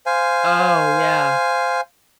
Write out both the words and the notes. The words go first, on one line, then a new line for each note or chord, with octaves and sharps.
Oh, yeah.
C5 F5 G#5